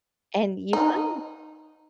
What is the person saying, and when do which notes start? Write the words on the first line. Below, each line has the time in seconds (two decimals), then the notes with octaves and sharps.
And you find
0.73 D#4